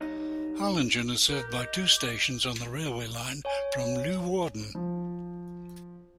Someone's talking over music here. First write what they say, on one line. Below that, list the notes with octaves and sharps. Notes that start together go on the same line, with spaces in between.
Harlingen is served by two stations on the railway line from Leeuwarden.
B1 G3 D#4 C#5 D#5
G4 A#4
D#5
D6
C#5 G#5
F3